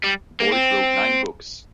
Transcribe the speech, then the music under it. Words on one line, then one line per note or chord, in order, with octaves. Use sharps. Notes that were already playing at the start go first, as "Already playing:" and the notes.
Boyd wrote nine books.
G3
A#3
C4